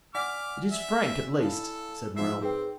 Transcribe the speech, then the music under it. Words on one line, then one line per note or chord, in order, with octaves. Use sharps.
"It is frank, at least," said Morrel.
D5 F#5 G#5 D6 F6 B6
E5
E4 A4 F5
G#2 F3 E5 C7
C4 D#4 G#4 B4 G5